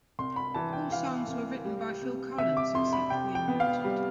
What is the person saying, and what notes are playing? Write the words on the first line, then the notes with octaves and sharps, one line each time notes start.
All songs were written by Phil Collins, except where noted.
C2 C6
B5
E3 A5
G5
E3 F5
C2
G3
C3
C3 E5
D6
F2 C6
B5
C3 G5
G5
B3
F5
G3